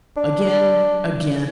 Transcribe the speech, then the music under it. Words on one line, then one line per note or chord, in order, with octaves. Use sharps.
Again! again!
D4